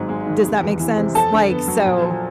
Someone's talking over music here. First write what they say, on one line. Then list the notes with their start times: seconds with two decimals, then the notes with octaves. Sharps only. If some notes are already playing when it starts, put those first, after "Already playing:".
Does that make sense? Like, so,
Already playing: G#1 G#2 F#3
0.09 G#3
0.27 D#3
0.45 F1
0.62 E2
0.80 E3
0.97 C3
1.15 F2 A4 A5
1.32 D3
1.50 B3
1.68 F#3
1.85 A#2
2.02 F3